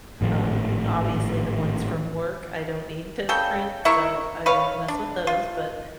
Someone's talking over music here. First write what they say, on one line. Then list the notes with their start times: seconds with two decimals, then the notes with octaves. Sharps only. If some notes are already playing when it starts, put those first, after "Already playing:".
Um, obviously, the ones from work, I don't need to print, so, I don't mess with those, but,
0.21 G#1 A2 D3 F3
3.29 C#3 A4 G5
3.85 E4 A#4 E5 C#6
4.46 B4 C#5 F5
4.88 D4
5.27 F4